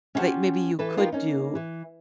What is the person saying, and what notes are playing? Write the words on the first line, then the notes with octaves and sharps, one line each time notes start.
that maybe you could do
C#4 E4 F4 G4 F#5 A5
E3 A4 B4
B3 D#4 F4 G4 A#4
A#3 C#4 D#4
E3